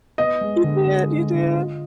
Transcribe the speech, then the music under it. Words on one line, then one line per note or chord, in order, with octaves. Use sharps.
You did, you did.
B3 D#5
G#3
D3
G#3
G#3
D3
F4